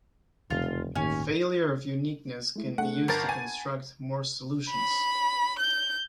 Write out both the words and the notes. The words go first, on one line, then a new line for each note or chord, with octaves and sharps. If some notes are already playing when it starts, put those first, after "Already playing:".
The failure of uniqueness can be used to construct more solutions.
F1 E2 C#3 F3 F4
G1 D#2 A2 D#3 C#4 G#5
G#3 A3 E4
A3 D4 G#4 F#5
G1 A#4 F#5 A5 B5 A6
G#5
B5
G6